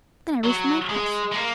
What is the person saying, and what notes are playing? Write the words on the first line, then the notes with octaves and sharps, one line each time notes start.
Then I reached for my glass.
F#3
G#3
G#3
A#3